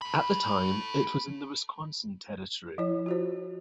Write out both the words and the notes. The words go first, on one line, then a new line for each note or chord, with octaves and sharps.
At the time, it was in the Wisconsin Territory.
A4 B5
F3 E4 C#5
F4 F#4 C5